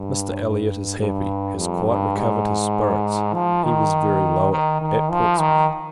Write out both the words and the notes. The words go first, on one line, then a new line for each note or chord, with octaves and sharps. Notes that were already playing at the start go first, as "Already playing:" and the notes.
Mr. Elliot is happy, has quite recovered his spirits; he was very low, at Portsmouth.
Already playing: G2
G2
F2
G2
G#2
F3
D#3
D#3
D#3
F3
D#3